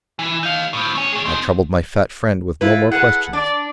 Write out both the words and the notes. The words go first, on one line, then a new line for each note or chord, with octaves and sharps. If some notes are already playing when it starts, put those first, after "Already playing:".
I troubled my fat friend with no more questions.
E3
D#4 F5
A2 C4
A3 G#5
A3 G#4
C4 D#4
E4 F4 B4
G#4 A4 B4 F#5
D4 D5